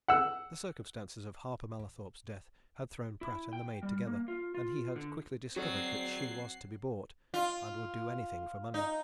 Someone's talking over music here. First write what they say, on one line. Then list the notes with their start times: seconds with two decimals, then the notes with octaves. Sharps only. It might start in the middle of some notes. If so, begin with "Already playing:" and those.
The circumstances of Harper Mallathorpe's death had thrown Pratt and the maid together, and he had quickly discovered that she was to be bought, and would do anything for money.
0.08 F#5 E6
3.21 E4
3.53 G5
3.83 G3
4.07 A#3
4.28 F4
4.55 F4
4.96 D3
5.56 F#3 C4 F#4 G#4 D5 C7
7.34 F4
8.74 D#4